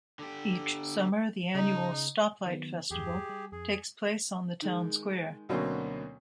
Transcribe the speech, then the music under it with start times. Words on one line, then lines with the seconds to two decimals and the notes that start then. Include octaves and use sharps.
Each summer, the annual Stoplight Festival takes place on the town square.
0.19 D3 G4
1.55 C#3 D#4
2.46 D#3 F#3 B3
2.91 E2 G2 G4 G#4
3.29 G3
3.52 F2 G#4
4.62 D#3 G#3
5.49 D2 B2 F#3 A#3 C4 C#4